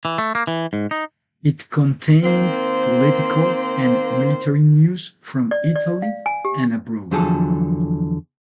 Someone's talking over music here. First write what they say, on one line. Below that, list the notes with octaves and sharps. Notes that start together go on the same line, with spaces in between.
It contained political and military news from Italy and abroad.
E3
A3
A#3
E3
G#2
D#4
D#3 A#3 C4 C5
D5
D5
F5
G#5
G4
E2 D3 F3 F#3 G#4 A4